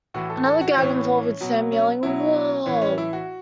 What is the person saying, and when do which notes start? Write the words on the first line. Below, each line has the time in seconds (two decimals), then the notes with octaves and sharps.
Another gag involved Sam yelling 'Whoa!
0.14 A2 E3 F#4
0.30 A4
0.45 A4
0.61 F#4
0.77 A2 E3 C#4
0.93 C#4
1.40 B2 F#3
1.72 C#4
2.03 B2 F#3 E4
2.66 A2 E3 C#4
2.82 C#4
2.98 E4
3.13 F#4